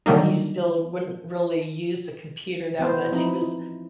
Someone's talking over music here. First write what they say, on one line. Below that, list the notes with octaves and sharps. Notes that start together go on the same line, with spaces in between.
he still wouldn't really use the computer that much, he was
D3 D#3 F#3 G3 A#3 D#4
E3 B3 E4 C5
F3 C4 D#4 E4